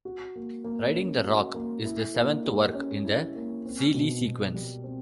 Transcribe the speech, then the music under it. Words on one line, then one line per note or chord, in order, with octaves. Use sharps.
"Riding the Rock" is the seventh work in the Xeelee Sequence.
F#4
A#3
A#3
C#4
F#4
A#3
E4
A#3
G4
C#4
E4
A#3
C4
B2
B2
G3
C4